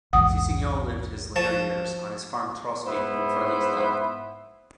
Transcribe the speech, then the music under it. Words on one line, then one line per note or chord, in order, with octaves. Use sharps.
Cicignon lived his later years on his farm Trosvik in Fredrikstad.
A#1 E2 G#2 F#5 D#6
F3 A5 C#6
G#2 B3 E4 C5